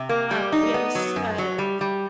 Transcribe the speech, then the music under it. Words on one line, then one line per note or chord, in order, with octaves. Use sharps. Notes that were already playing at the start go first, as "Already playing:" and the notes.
Um, we have a s a
Already playing: C3
A#3
G3
D#4
B3
F#3
F#2
F#3
G3
G3